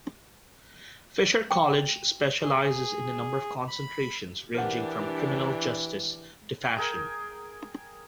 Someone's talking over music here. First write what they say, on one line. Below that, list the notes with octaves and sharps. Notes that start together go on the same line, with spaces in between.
Fisher College specializes in a number of concentrations ranging from Criminal justice to Fashion.
G5
G#4
B5
E3 D4 G4 A#4 C5 F#5
G#4 A#4 G5 G#5